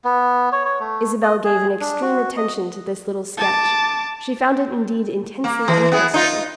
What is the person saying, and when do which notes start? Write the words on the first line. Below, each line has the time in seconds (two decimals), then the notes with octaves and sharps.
Isabel gave an extreme attention to this little sketch; she found it indeed intensely interesting.
0.04 B3
0.52 C#5
0.65 C#5
0.80 A3
1.22 D#5
1.44 G#4
1.81 D4
2.02 F#4
2.37 D#5
3.38 A5 D6
5.44 A#3
5.68 E3
5.92 B3 E4 G#4
6.14 D#4 F4